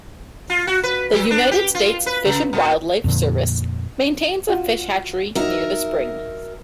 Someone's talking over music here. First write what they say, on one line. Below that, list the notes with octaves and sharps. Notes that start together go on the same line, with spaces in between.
The United States Fish and Wildlife Service maintains a fish hatchery near the spring.
F4
F#4
B4
F#3
D4
G4
F4
B4
C#3
A#2
F2 A#2 D3
F4 F#4
F#3 D#4 A#4 E5